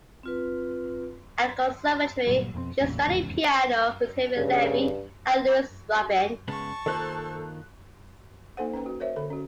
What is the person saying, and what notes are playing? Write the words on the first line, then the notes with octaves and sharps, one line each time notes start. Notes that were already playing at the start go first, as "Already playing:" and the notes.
At the Conservatory, she studied piano with Heniot Levy and Louise Robyn.
C4 F4 B4
G1 A#2 F#3 G3
F2 B2 A#3 C4
A1 E2 A#2 C#3
F1 E2 G#2 C#3
G2 C#3
C#3 G#3 B3 A5 C#6
D#3 A#3 F4 A4 C5 F#6
A#3 D#4 A4 C5 F#5
C#4 B4 G5 A#5
F#4
A#4 C5 C#5 E5
D3 A4 B5
C#4 F#4